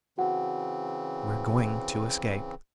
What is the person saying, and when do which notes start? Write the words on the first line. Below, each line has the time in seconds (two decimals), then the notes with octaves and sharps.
"We're going to escape!"
0.18 C#3 E3 C4 F#4 F#5